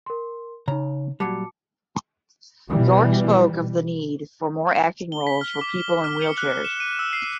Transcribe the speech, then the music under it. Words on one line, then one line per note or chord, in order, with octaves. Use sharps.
York spoke of the need for more acting roles for people in wheelchairs.
A#4 C6
C#3 D#4 C#5 A#5
A#2 F#3 G3 A5 D6 C#7
B2 E3 G3
G7
B6
F6
D6
G7
F6
C#7
F#6
E7
D#7
E6
C7